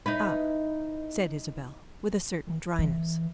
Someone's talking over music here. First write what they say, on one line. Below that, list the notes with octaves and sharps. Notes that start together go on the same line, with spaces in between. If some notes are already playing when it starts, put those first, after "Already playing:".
"Ah!" said Isabel with a certain dryness.
D#4 E4 B4
E3